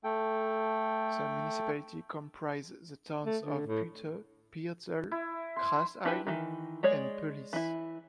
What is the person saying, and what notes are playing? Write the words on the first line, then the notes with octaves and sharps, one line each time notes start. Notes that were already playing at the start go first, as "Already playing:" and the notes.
The municipality comprises the towns of Putte, Beerzel, Grasheide and Peulis.
A3 A4 G5
A3
D3
A2
E4
C6
D4 E4 G4 B4 G#5
D#3 E3
G#3 G#4 C#5 D5
E3 E4